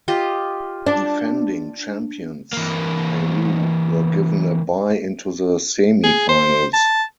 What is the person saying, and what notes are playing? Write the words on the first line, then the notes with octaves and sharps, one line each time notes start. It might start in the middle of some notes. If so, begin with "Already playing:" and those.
Defending champions Peru were given a bye into the semi-finals.
F4 G4 D#5
D4
E3 A#3
G#4
C5
A5